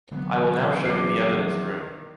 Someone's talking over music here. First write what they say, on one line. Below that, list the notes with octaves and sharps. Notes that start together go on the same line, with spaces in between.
I will now show you the evidence room.
D3 E3 F#3 B3
E2 F3 F#3 C#4 D6 C7
D#3